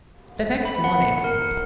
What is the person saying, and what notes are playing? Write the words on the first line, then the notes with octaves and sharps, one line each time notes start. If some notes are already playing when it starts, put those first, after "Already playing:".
The next morning.
B5
F#5
C#7
A#4